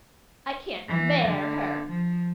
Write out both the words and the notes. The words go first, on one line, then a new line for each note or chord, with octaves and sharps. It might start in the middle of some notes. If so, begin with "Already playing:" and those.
I can't bear her.
E3
D3
F3